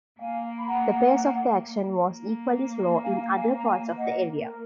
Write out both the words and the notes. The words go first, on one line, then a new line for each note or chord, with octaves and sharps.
The pace of the action was equally slow in other parts of the area.
A#3 F5 G#5
B5
F#5 A#5
A#3
F5 G#5
F5 G#5
A#5
F5 G#5
D#5 F#5
B4
A#4